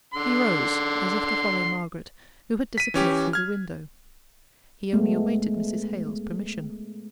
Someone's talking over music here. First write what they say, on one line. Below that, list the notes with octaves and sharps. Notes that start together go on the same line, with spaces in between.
He rose, as if to follow Margaret, who had disappeared through the window he only awaited Mrs. Hale's permission.
D3 C6
B6 D#7
E3 C#4 G4
F6 G#6
G#3 A3 B3